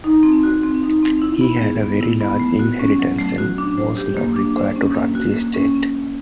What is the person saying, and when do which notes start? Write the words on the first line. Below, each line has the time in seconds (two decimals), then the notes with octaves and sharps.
He had a very large inheritance, and was now required to run the estate.
0.04 D#4
0.23 C4
0.43 F#4
0.63 C4
0.83 D#4
1.03 C4
1.22 E4
1.41 B3
1.61 G#4
1.80 B3
2.01 E4
2.20 B3
2.40 A3
2.59 F#4
2.79 C#4
2.99 F#3
3.19 A3
3.38 F#4
3.58 D4
3.78 C5
3.97 G4
4.17 A#3
4.36 D4
4.56 C5
4.76 C#4
4.95 A#3
5.15 F#4
5.34 A#3
5.54 C#4